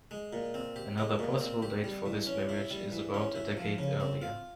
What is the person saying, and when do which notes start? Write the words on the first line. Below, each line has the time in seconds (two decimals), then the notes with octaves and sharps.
Another possible date for this marriage is about a decade earlier.
0.11 G#3
0.33 A#2
0.54 C4
0.76 G4
0.98 G#3
1.19 A#2
1.41 C4
1.62 G4
1.84 G3
2.06 E3
2.27 C#4
2.49 E4
2.70 G3
2.92 E3
3.14 C#4
3.35 E4
3.57 F3
3.78 C#3
4.00 C4
4.22 F4